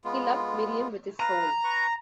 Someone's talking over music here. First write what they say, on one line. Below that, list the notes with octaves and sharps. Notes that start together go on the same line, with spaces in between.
He loved Miriam with his soul.
G#3 B3 F4
B4 F5 A#5
B4 C#6